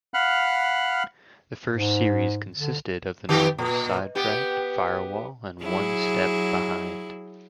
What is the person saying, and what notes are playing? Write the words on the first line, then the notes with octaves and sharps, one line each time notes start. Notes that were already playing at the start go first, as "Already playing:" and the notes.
The first series consisted of the novels "Sidetracked", "Firewall" and "One Step Behind".
F5 F#5 B5 F6 F#6
G#2
D3
D#3 B3 G4
A#2
B3 G4
F#3 E4 G#4